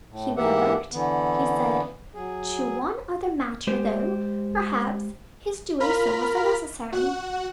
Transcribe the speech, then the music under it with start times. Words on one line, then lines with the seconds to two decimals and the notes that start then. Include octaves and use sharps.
'He would advert,' he said, 'to one other matter, though, perhaps, his doing so was unnecessary.
0.08 A2
0.37 G#2 E3 A#3 G4 E5 F#5
0.92 D3 E3 B3
2.14 F#3 G#4
3.67 G#3 G4 C5
5.80 F4 A#4 B5 F6 B6
6.92 F#4 F#5